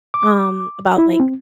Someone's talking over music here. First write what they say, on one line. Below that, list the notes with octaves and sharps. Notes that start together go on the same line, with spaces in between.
um, about, like,
D6
E4
C4